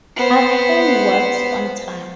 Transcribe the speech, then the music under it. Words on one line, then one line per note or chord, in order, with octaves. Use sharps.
Abhay works on time.
B3 C5